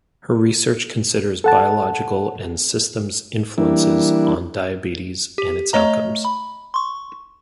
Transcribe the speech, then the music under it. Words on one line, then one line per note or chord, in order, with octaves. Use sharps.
Her research considers biological and systems influences on diabetes and its outcomes.
A4 F#5 A5
E3 G3 A#3 D4 E4
G4
A3 C#5 D#5 A#5
B5
C6 C#6